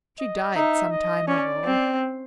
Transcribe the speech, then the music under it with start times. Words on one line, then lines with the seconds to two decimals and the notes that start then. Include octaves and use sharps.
She died some time ago.
0.19 D#5
0.55 D#4 E5
0.91 D#5
1.28 C#4 D5
1.64 C4